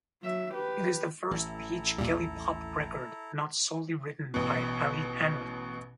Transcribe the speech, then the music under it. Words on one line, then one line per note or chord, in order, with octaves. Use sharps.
It is the first Peach Kelli Pop record not solely written by Allie Hanlon.
F#3 E5
G4 B4
A1 E3 E4 A4 A#5
D#2 A#2 G3
A1 B2